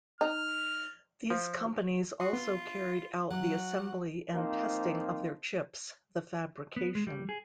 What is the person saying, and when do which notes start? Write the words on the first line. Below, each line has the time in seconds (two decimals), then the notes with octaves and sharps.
These companies also carried out the assembly and testing of their chips, the fabrication.
0.21 D#4 F6
1.30 F3
2.20 F#4 C6 D#6 C7
2.33 B3 F4
3.30 F#3 F#5
4.35 F3 A#3 C4 D#4
6.76 B3
6.95 G#3
7.07 G3
7.29 G#4